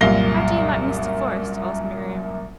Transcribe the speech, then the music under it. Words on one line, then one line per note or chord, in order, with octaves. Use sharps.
"How do you like Mr. Forest?" asked Miriam.
C2 F#2 A#2 F5 A#6 G7